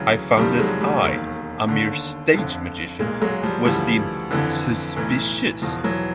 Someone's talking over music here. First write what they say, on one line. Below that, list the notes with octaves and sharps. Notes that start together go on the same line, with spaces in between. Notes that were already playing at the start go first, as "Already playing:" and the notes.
I found that I, a mere stage magician, was deemed "suspicious"!
Already playing: D2 C#3 E3 F#3
F#1 E2 C3 D#3 F3 G3
F#3 G#3
G3 A3
E1 D#2 D#3
D#2 D3
G1 F2 D3
B1 A#2 G#3 A#3
F#3 G#3
F3 G3
D2 C#3 E3 F3 G3
G1 F2 D3 E3
B1 A2 E3
E1 E2 B2 F3
E3 F#3